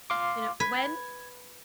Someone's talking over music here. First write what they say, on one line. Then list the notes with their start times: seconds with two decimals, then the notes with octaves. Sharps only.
you know, when
0.10 F5 C6 D6
0.60 B4 G#6